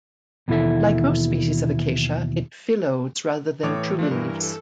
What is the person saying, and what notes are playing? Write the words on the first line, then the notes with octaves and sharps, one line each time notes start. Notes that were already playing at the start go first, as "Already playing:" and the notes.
Like most species of "Acacia" it phyllodes rather than true leaves.
D#2 B2 E3 E4 A4 E5
A2 E3 C#5 D6
F3 A3 D4
G2 E3 A#4
A#4
A4